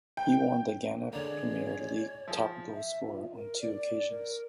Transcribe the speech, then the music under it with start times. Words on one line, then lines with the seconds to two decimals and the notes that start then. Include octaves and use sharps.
He won the Ghana Premier League top goal scorer on two occasions.
0.17 G5
1.13 D3 G#3 A#3 C#5 D5
2.28 F3 G#4 E5
2.73 E5
3.07 F4
3.35 A#4
3.61 D5
4.10 A#4